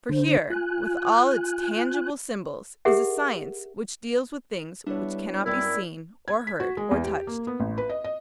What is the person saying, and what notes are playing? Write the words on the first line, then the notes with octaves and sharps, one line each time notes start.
For here, with all its tangible symbols, is a science which deals with things which cannot be seen or heard or touched.
D3 D4 C5
F4 G#5 F#6
G4 G#4 A#4 E5 F#5
G3 B3 D4 E4 C#5
F#2 C4 E4 A#4 D5
G#6
B6
F#4
G#3
E2
G4
A#3
B3
A1
B4
D#5
D#5